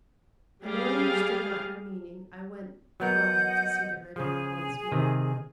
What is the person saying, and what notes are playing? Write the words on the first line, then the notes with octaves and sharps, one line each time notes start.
And, though I understood not her meaning, I went, glad to see the Red Room once more.
G3 G#4 F5
F#3 B3 A#4 D#5 F#5 G6
C#3 F3 G#4
C3 D#3